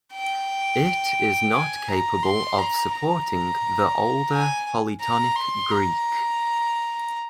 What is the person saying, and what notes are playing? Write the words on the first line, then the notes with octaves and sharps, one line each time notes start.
It is not capable of supporting the older polytonic Greek.
G5
G#5
A#5
C6
A#5
A#5
G#5
A#5
C6
A#5